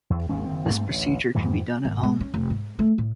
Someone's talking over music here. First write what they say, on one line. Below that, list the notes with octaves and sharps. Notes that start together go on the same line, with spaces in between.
This procedure can be done at home.
E2
G#1 D#2 G#3 C#4
F#1 D#3 C4
G2 A3 A#3 C4
A1 D2
F2 G#2 D#3 E3
G#1
G#3
C#4
F1
G#2
A3
A2